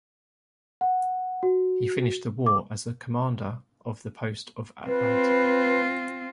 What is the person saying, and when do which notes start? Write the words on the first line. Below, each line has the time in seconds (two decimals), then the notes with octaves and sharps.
He finished the war as the commander of the Post of Atlanta.
0.81 F#5
1.43 F#4
2.46 D6
4.87 C4 F4 B4